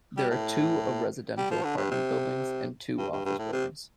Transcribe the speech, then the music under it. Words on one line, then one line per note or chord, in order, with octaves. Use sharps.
There are two of residential apartment buildings, and two office buildings.
G3
A2
G3
F3
D3
G2
C3
G2
G2
G2
A2
C3